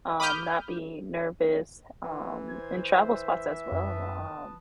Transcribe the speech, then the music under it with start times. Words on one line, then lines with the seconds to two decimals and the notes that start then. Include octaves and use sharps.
um, not be nervous, um, and travel spots as well, um,
0.20 B5 D6 D#6 F6 G6
2.04 E3
2.49 C5 G#6
2.95 E5
3.72 F#2 B4 A5 D#6